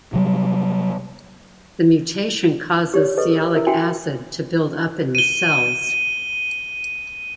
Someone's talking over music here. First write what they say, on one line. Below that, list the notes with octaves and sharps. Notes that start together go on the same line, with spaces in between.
The mutation causes sialic acid to build up in the cells.
C3 F#3 G3
G4 C#5 D5
G#4 A4 B4 D#5
A#4
E4 A#4 E5
F#4 E5 G5 G#5 B5
D#7 G7